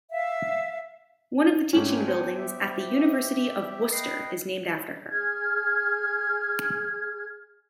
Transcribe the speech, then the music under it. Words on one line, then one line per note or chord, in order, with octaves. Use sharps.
One of the teaching buildings at the University of Worcester is named after her.
E5 F5
G#2 A3 C#4 D4 G5 G#5
B3 C5
G4 E5
B4 D#5 G5 C7
G#4 F6 G#6